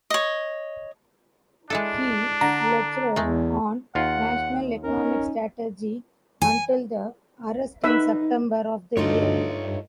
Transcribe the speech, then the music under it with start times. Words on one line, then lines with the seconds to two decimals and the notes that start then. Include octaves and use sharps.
He lectured on "national economic strategy" until the arrest in September of the year.
0.10 C#5 D#5
1.70 G#3 D4 E4 A4
2.41 D3 A#5
3.16 E2 G#3 A3
3.95 D#2 F4 F#5
4.84 C#4 D#4 A#4
6.42 G#5
7.84 D#4 B4 E5
8.97 D2 G2 A3 D#4 F4 C#5 D#5